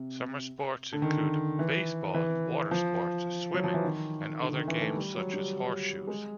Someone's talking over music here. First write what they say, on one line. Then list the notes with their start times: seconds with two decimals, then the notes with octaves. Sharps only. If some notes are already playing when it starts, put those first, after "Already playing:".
Summer sports include: baseball, water sports, swimming, and other games such as horseshoes.
Already playing: C3
0.93 D3
1.02 D#3
1.59 E3
2.14 E3
2.71 F3
3.54 F#3
3.64 F3
3.74 E3
3.84 D#3
4.40 D3
4.54 D#3
4.68 E3
4.81 A3
4.96 G3
5.15 F#3
5.33 G3
6.08 G#3